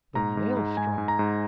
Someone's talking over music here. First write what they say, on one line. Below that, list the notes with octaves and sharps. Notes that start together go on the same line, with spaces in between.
The Maelstrom!
G#2 A#5
G#2
G#2
G#2 G#5
G#2
A#5
G#2